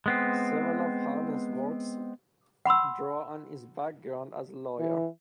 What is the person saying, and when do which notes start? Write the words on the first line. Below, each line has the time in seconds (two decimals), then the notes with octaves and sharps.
Several of Harness' works draw on his background as a lawyer.
0.06 G#3 B3 C4
2.66 F#5 B5 C6 E6
4.79 E3